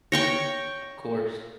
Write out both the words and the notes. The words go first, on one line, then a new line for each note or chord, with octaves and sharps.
Of course.
C#5 G5 C#6 A#6